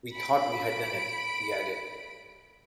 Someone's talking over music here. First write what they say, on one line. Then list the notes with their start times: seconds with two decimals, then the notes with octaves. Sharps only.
We thought we had done it, he added.
0.15 B5 D7